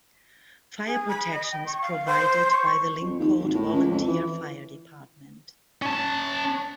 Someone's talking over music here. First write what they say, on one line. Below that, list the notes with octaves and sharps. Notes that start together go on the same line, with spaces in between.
Fire protection is provided by the Lyncourt Volunteer Fire Department.
G#4
B5
D#5
G5
C#6
F5
C5
C#6
F2
D#2
G#1
A2
C#2
F2
E3
C#4 A5